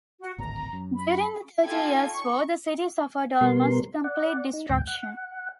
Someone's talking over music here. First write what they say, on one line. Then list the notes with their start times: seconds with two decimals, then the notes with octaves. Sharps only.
During the Thirty Years' War the city suffered almost complete destruction.
0.21 F#4
0.38 D1 G#1 A#5
0.73 F#2
0.95 B5
1.63 D#4 F4 G4 A4 G#5 G#6
2.11 C#6
3.41 B2 G3 B3 A#4 C6
4.04 D5 F#5
4.54 D#4
4.69 D2 G#2 G5
4.87 F#5